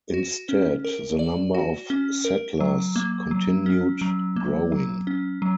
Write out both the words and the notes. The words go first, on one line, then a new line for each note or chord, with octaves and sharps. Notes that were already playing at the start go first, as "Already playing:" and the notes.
Instead, the number of settlers continued growing.
F#4
C#4
A#4
D5
F#4
C#4
A#4
F#3
A#3
F#3
C#4
F#3
A#3
F#3
C#4
F#3